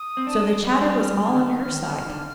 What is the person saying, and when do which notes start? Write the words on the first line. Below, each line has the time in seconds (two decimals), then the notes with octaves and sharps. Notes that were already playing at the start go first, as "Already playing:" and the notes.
So the chatter was all on her side.
Already playing: D#6
0.17 C4
0.27 D4
0.63 G3
0.72 G#3
0.82 G3
0.94 D#6
0.99 G3 F6
1.29 D3
1.35 D#3
1.72 D#3
1.90 D#3
2.08 D3